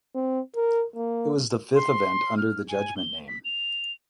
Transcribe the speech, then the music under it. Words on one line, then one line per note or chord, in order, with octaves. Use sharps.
It was the fifth event under the Judgement name.
C4
A#4
A#3
C6
F6
G#5
G7
B6
F7